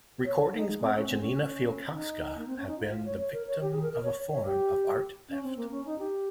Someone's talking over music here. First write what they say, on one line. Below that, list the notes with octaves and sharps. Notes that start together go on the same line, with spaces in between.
Recordings by Janina Fialkowska have been the victim of a form of art theft.
C#5
D#4
G#3
C4
C#4
C4
C#4
D#4
A#3
C4
C#4
D#4
F4
F4
C#5
C#5
A#4
C#5
G4
G#4
A#4
A#4
C#5
C#5
G4
C#4
C4
A#3
C#4
D#4
G4